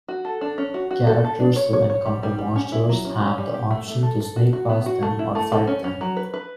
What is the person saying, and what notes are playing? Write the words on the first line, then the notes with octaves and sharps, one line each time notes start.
Characters who encounter monsters have the option to sneak past them or fight them.
F#4
A4
D4
C#4
F#4
F#4
A4
A4
D4
C#5
C#5
C#5
G3
G3
G3
C#4
E4
F#3
C#4
C#4
G3
G4
A3
A3
A4
A4
F#4
F#4
B3
F#4
A3
E4
A3
A4
C#4
C#4
F#3
B4
B4